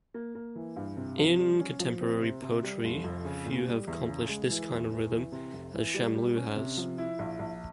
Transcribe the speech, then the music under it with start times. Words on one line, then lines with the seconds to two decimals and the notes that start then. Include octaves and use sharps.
In contemporary poetry, few have accomplished this kind of rhythm as Shamlou has.
0.14 A#3
0.35 A#3
0.55 E3
0.76 G2
0.97 C3
1.18 F3
1.38 G3
1.59 C#4
1.80 F3
2.01 C4
2.21 C3
2.42 C3
2.63 G3
2.84 F1
3.04 F2
3.25 C#3
3.45 A#2
3.66 G3
3.87 E2
4.08 C#3
4.29 G#3
4.50 E3
4.71 E2
4.91 E3
5.12 E3
5.32 C3
5.53 F1
5.74 E3
5.94 G3
6.15 G3
6.36 C#4
6.56 C3
6.77 F3
6.98 E4
7.19 A#1
7.39 A#1